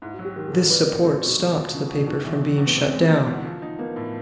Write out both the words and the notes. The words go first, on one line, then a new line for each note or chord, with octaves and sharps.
This support stopped the paper from being shut down.
G#2 E4
F#4
F#3
G4
D#3 G4
G#4
A#1
A4
G3 B4
D#4 A#4
C4 A4
F#4
B2
F#4
D#2
F3
C#3
E1
D4
B2 D#4
E2 E4
F#3 D4
E2
B3
C3 C4
C4
G#3
B3
E3 A#3
D2
F3
D#4
A#3 B3
A2